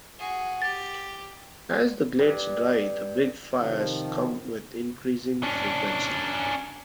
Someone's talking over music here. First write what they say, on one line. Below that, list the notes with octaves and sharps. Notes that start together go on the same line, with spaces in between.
As the glades dry, the big fires come with increasing frequency.
F#4 G#4
G4 A6
G2
C3 D#3 F3
C#4 D4